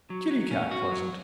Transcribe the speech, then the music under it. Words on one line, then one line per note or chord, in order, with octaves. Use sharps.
Kitty-cat pleasant!
F#3
F#3
C#4
F#4
F#3